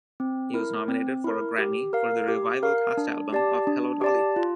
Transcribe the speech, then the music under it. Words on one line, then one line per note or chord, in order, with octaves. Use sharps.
He was nominated for a Grammy for the revival cast album of "Hello, Dolly!".
C4
E4 A#4
C4
E4 A#4
G4
A#4 F5
G4
A#4 F5
D4
G4 D5 A5
D4
G4 D5 A5
F4